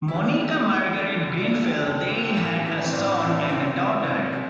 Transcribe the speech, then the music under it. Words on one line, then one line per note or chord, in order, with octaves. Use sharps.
Monica Margaret Grenfell; they had a son and a daughter.
E4
E2 G4
D4
D3 E4
G4
E2 E4
D3
D2
E4
D4
D3
G4
D2 A4
D3
G4
A1 E4
A2 E3
C4
A1 D4
A2 E3
D4
C2 C4
C3 E3
C2
C3